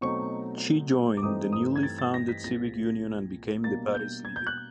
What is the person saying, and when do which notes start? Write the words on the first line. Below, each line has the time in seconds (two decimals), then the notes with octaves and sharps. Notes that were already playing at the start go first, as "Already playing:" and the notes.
She joined the newly founded Civic Union and became the party's leader.
0.01 B2 F#3 A3 C4 D#4 C#6
1.17 D6
1.22 G2 E3 A3 C4 D#4 D#6
1.53 D#6
1.76 G#6
1.83 A6
1.99 A6
2.14 A#6
2.28 B6
2.43 C2 A#2 F3 G#3 A#6
3.64 B2 G3 A#3 D4 A6
3.95 G6
4.25 G#6
4.36 G6
4.47 F#6